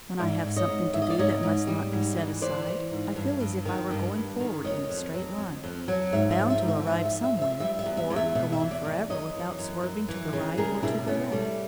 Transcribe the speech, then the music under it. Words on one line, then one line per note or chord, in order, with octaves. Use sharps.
When I have something to do that must not be set aside, I feel as if I were going forward in a straight line, bound to arrive somewhere, or go on forever without swerving to the right or to the left.
G#2 D5 E5
G#2
C#5 D#5
G#2
G#2 E5
D#5
D5
G#2 C#5 D#5
G#2
G3
G#2
E3
E3 C5 D5
E3
G#2
G2
G2
D#3
G2
G2
D#3
F2 C#5 D#5
F2
F#3
F2
F2
F#3
G#2 E5
E5
F3
E5
G#2
E5
F3 E5
E5
F3
E5
F3 E5
G3 E5
E5
E2
E5
E2
E5
B2 E5
E5
E2
D5 E5
E2
F#2 C#5 D#5
E3
F#2
F#2
E3
C#3
G3 G#4 A#4
B2 D4 E4
D4
B2 B3 C#4
G3 A3